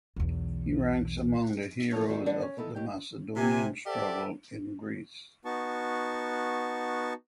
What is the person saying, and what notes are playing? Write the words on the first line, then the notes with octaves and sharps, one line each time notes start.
He ranks among the heroes of the Macedonian Struggle in Greece.
B1 E2
F3 A#3 F4 A4 C#5
D#2 D#3 G3 B3 F4 F#4
G3 D4 B4 D#5 F#5
C#4
B3 D#4 E4 A4
D#2 G4 D#5 G5
C3 G#5
G4 A4 C5 D5 E5 F#5
B3 D#4 F#4 A5 C#6